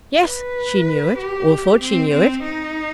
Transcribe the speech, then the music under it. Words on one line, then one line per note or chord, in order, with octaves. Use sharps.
Yes, she knew it, or thought she knew it.
B4
G4
C4
C4
D#4